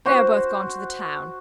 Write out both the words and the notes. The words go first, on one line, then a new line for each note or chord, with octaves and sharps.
They're both gone to the town.
F#4 C5